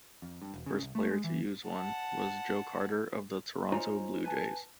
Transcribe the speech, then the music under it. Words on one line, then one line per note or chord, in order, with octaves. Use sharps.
The first player to use one was Joe Carter of the Toronto Blue Jays.
F2
G2
E1
C#3
C2
A3
G#3
E3
F#5 A5
D#4 F4 C5 C#5 G#5 A#5
B4 G#5 A5